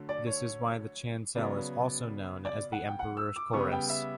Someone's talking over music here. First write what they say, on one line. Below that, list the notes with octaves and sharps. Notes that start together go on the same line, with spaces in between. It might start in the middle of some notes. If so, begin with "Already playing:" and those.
This is why the chancel is also known as the Emperor's Chorus.
Already playing: D3 F#3 A3
D5
C#5
C#3 F#3 B3 D5
D5
F#5
G5
F#5
E6
D6
C#3 G3 B3 C#6
G5
E5